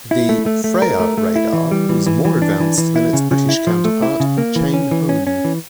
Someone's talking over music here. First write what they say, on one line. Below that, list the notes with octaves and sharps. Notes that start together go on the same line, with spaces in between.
The "Freya" radar was more advanced than its British counterpart, Chain Home.
E4
A3
A3
A3
A#4
A3
A3
E4
E3
G3
E3
E3
E3
D4
E3
E3
E4
C#3
C#3
E4
F3
A3
E4
C#3
A#3
E3
C#4
E3
C#4
C#4
E3